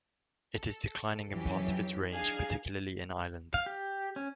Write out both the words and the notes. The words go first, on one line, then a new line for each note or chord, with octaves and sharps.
It is declining in parts of its range, particularly in Ireland.
A4
F2 E3 F#3 C#4 G4
D4 D#4 G#4 F5 G#6
F5
G4
C#4